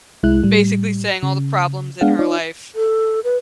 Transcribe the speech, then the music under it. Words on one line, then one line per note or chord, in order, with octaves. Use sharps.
basically saying all the problems in her life,
C2 G#3 E4 F#6
A2 G3
C#3
G#3 B3 D4 G#4 F5 F#5
D#4 F4 C#5 D5
A4
B4